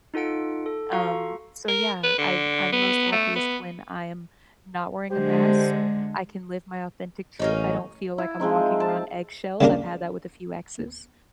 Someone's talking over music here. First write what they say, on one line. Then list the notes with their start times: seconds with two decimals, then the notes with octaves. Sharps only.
Um, so, yeah, I'm I'm most happiest when I am not wearing a mask, I can live my authentic truth, I don't feel like I'm walking around eggshells. I've had that with a few exes.
0.14 D#4 F4 A4 F#5 D7
0.66 A4
0.93 F4 F#4 A4 F5 A#5 C#6
1.68 A#4
2.04 B4
2.18 D3
2.72 B3
3.12 A3
3.36 B3
5.11 D3 G#3 G4 C5
7.39 A1 A#3 C#4 D#4
8.18 E4
8.40 F3 G#3 C4 D#4
8.80 A5
9.61 C#3 G3 A#3 D4 A#4